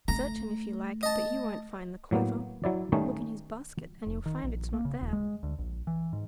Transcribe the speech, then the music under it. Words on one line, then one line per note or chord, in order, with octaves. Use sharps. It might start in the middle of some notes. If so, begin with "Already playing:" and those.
Search him, if you like, but you won't find the clover; look in his basket and you'll find it's not there.
A3 A#5
D#5 A5
A2 F#3 A#3 B3
F#3 E4 D5
D#3 G3 A3 C#4 D#4
F1
D#3
A#1
A#3
C#3
D#1
G#3
D2
A#1
E3
G#2